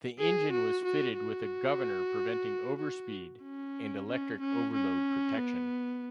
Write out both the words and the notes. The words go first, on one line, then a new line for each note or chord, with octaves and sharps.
The engine was fitted with a governor preventing overspeed, and electric overload protection.
G#4
F#4
F#4
F#4
F#4
C#4
C#4
C#4
C#4
B3